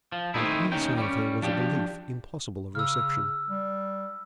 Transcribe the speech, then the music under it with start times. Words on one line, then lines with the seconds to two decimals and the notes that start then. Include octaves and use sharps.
On either side of her was a belief impossible of reception.
0.12 F3
0.34 D#3 A3 C4 D#4 E4
0.72 D#2 C#4 D#4 G5
0.97 G3 C#4
1.42 F3 D4 G4
2.75 C#3 E6 F6
3.50 G3